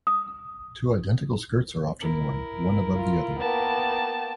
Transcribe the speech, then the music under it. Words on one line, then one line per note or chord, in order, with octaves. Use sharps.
Two identical skirts are often worn, one above the other.
D#6
E4 A#4
F4
A#3 B3 G5 A5